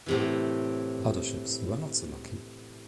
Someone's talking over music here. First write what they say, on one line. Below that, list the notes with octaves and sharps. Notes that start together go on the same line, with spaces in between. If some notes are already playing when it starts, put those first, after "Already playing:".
Other ships were not so lucky.
A2 C3 E3